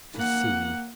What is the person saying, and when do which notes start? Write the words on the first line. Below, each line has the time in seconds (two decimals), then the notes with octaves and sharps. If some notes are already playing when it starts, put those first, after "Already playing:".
To see.
0.14 A#3 F#5